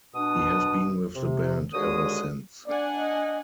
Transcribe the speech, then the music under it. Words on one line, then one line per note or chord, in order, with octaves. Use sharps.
He has been with the band ever since.
B2 D4 D#6
C3
D#2 D3 G#3 F#4 G#4 D#6
D4 D5 F#5 G#5
D#5